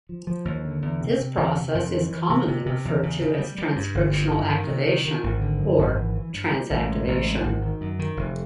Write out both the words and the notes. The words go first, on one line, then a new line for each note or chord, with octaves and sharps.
This process is commonly referred to as transcriptional activation, or transactivation.
F3
F3
D#2
D3
E2
C3
C3
E2
C3
F2
E3
E3
C3
C3
C3
E2
C#3
C#3
G3
G3
G2
G1
G2
G2
D#3
C3
D#3
D#3
G#1
D3
F#2
G#1
E3
E3
G2
G3
A1
G#3
A1
G#3
G#1
D#3
F#2
D#3
F1